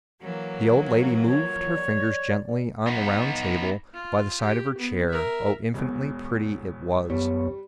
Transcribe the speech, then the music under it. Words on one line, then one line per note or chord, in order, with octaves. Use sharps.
The old lady moved her fingers gently on the round table by the side of her chair,.. oh, infinitely pretty it was....
E3 F#3 A#3
F4 C#5
D5
B3 D#4
F4
G4
B3
A#4 E5
E1 E2
F#2 G3 B3 C#5